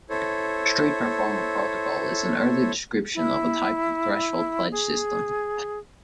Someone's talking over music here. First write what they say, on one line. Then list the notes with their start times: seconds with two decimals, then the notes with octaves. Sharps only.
Street Performer Protocol is an early description of a type of threshold pledge system.
0.10 E4 A4 C5 C#5
3.15 E4
4.72 G#4